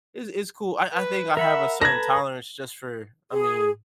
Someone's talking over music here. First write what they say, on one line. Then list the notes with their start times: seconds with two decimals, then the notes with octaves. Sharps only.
is is cool. I I think I have a certain tolerance just for I mean
0.93 B4
1.37 A#4 E5 F#5 B5
1.81 A4 B4 A5 A#5 G#6 A#6
3.31 G#4